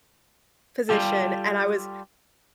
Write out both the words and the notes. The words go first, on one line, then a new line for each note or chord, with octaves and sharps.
position, and I was
G3 F4 G4 A4